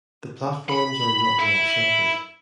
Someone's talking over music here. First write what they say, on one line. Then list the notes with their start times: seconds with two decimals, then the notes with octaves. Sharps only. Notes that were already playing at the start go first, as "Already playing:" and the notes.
The platforms are not well sheltered.
0.69 B5
1.40 E4